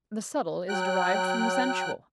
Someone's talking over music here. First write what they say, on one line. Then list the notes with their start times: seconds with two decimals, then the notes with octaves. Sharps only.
The subtile is derived from the sensual.
0.68 F#3 G5 F#6